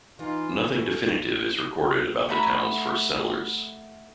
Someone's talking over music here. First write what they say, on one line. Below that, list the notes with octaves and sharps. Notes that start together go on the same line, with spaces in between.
Nothing definitive is recorded about the town's first settlers.
E3 D#4 F4
C#4 A4
A3 F#5 A#5 B5